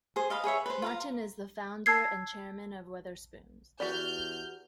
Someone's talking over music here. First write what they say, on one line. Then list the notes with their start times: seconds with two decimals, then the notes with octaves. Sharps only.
Martin is the founder and chairman of Wetherspoons.
0.16 G#4 C5
0.30 D#5 F5 B5
0.44 G#4 B4 C#5 E5
0.66 B4 C5
0.82 F4 F5 A#5
1.86 A5 E6 G#6 C7
3.80 E2 F#4 G4 D5 F6 G6